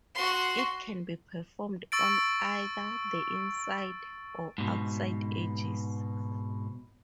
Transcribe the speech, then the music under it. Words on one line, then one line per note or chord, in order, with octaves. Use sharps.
It can be performed on either the inside or outside edges.
F#4 C6
C#6 E6 A6 D7
G#2 B2